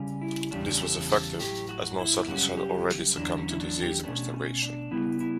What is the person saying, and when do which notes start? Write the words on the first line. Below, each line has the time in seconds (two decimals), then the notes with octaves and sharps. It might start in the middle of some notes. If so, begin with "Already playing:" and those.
This was effective, as most settlers had already succumbed to disease or starvation.
Already playing: C#3 G3 C#4
0.21 E4
0.51 E2 C#3 G3 C#4 D4
0.81 A4
1.10 A4
1.39 A2 F#3 A3 G4
1.69 F#4
1.99 E4
2.27 F#2 C#3 G3 C#4 F#4
2.57 G4
3.16 E2 D3 F#3 D4
3.37 C#4
3.50 E4
3.60 D4
3.82 G4
4.03 B2 A3 C#4 D4
4.33 C#4
4.62 D4
4.91 C#3 G3 B3 E4
5.21 E4